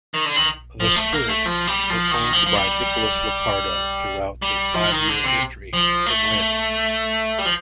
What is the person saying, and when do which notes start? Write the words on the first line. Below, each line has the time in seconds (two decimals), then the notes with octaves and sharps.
The Spirit were owned by Nicholas Lopardo throughout their five-year history in Lynn.
0.14 D#3
0.25 D3
0.36 D#3
0.80 F3
0.96 A3
1.13 A#3
1.29 A3
1.46 F3
1.67 G3
1.90 F3
2.11 D#3
2.33 F3
2.46 F3
2.55 G3
4.42 G3
4.74 F3
4.92 D#3
5.08 D3
5.24 C3
5.73 F3
6.06 A3
7.38 G3
7.45 F3